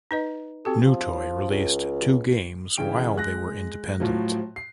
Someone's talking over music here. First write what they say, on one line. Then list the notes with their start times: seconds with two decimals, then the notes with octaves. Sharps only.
Newtoy released two games while they were independent.
0.11 D#4 B4 D#5
0.65 C4 F#4 G4 A4
0.86 F3
1.50 C#2
2.77 C#3 E3 G5 D7
3.16 G#3 F#6 A#6
4.00 A2 F3 F#3
4.56 C7